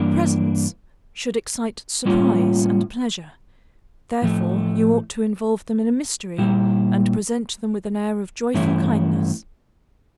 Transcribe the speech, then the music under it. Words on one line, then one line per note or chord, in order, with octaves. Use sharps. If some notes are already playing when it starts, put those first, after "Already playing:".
Presents should excite surprise and pleasure, therefore you ought to involve them in a mystery, and present them with an air of joyful kindness.
Already playing: G2 E3 A#3 D4
A2 G3 A#3 C#4 F4
A2 F3 A3
A#2 G3 A#3 E4
G2 E3 A3 C#4 E4